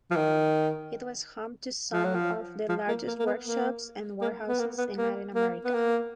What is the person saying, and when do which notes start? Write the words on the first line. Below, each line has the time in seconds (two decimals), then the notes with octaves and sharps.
It was home to some of the largest workshops and warehouses in Latin America.
0.11 F3
0.16 D#3
1.93 F3
2.04 F#3
2.15 F3
2.69 F3
2.88 A#3
3.07 A#3
3.19 A#3
3.26 B3
3.45 A#3
4.22 A#3
4.48 B3
4.59 A#3
4.78 B3
4.97 A#3
5.35 A#3
5.65 B3
5.74 A#3